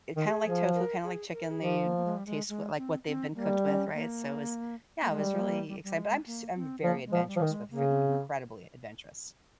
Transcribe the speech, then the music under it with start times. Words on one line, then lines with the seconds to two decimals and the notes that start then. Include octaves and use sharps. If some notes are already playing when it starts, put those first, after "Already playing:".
it kinda like tofu, kinda like chicken, they taste w like what they've been cooked with, right? So, it was Yeah, I was really excited. But I'm s I'm very adventurous with food, incredibly adventurous.
0.16 D#3
0.26 G4
0.31 G#4
0.45 F3
0.75 A#4
1.04 G#4
1.32 A#4
1.51 G#4
1.61 F3 G4
1.84 A#3
1.97 A#3
2.05 G#3
2.17 G3
2.26 G#3
2.49 G#3
2.77 C4
3.07 C4
3.35 G3 A#3
3.64 C#4
3.94 A#3
5.02 A#3
5.10 G3 G#3
5.31 G#3
5.39 A#3
5.68 G3
5.84 G3
5.96 G#3
6.26 A#3
6.55 C4
6.83 F3 A#3
7.06 G#3
7.12 F3
7.27 G3
7.36 F3
7.41 D#3
7.49 G#3
7.71 C#3 A#3
7.89 A#3
7.93 C4
8.07 C4